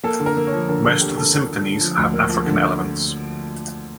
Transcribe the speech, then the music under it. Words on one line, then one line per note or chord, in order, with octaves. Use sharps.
Most of the symphonies have African elements.
A#3 A4
D3
A#4
A#3
C#5
F3
D3 A#4
D3 A4
D3 G4
D3 A4
D3
D3
D3
F3
D2
A#3
F3
D3